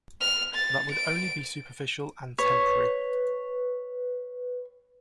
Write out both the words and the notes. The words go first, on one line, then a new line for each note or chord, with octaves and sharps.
That would only be superficial and temporary.
F6
A6
D7
B4 C#5